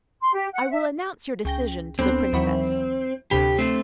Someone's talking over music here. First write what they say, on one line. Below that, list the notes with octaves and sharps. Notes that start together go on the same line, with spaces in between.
I will announce your decision to the Princess.
C6
G4
F#5
E5
C#2 G5 A#6
D2 B3 C4
D#2 E3 F#3
D2 C3 G4 B5
A3 C4